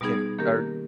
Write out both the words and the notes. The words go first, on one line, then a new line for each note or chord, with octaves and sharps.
can, uh,
B2 G3 B3 D#4 G#4
D#3 A#3 C#4 G4 A#4